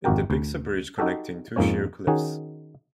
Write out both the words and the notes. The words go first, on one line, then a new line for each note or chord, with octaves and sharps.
It depicts a bridge connecting two sheer cliffs.
G#1 F2 F#4 G4 A#4 G5
D2
D#4 F#4 G4 A4
F2 G#2 A#3 C#4 C#5
D#3 C#4 D#4 F#4 G#4